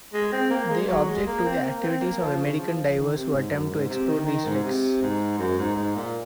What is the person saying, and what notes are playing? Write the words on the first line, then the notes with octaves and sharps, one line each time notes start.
They object to the activities of American divers who attempt to explore these wrecks.
G#3
C4
A#3
G#3
F#3
G#3
A#3
C4
A#3
C4
A#3
F3
C#3
F3
F3
D#3
C3
G#2
F#2
G#2
C3
D#3
D#3
G#2
C3
G#2
F#2
G#2
G#2
A#2